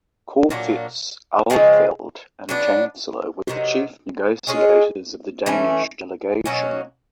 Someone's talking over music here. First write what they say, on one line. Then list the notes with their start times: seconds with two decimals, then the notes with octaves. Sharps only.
Corfitz Ulfeldt and Chancellor were the chief negotiators of the Danish delegation.
0.50 A#2 F#3 A#3 D4
1.50 C#3 F3 G#3 C4
2.49 F#3 B3 D4
3.48 C3 D#3 F#3
4.47 G#3 C#4 F4 G#4
5.46 E3 A3 C#4
6.46 B2 F#3 A#3 C#4